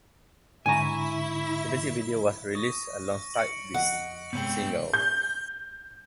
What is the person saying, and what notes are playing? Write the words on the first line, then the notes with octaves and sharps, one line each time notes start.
The music video was released alongside the single.
G#2 D3 E4 E5 G#5 A#5 C#6
C#6 D#6 A#6
C#7 D7 F#7
F2 D#5 F#5
G2 C3 G#3 B3 C#5 G5 G6 F#7
G6